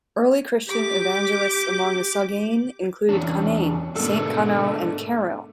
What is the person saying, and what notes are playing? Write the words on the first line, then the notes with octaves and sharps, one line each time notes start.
Early Christian evangelists among the Soghain included Conainne, Saint Connell and Kerrill.
G4 D6
E2 C#4 D4
G#2 B2 A3 D4 A4 A#4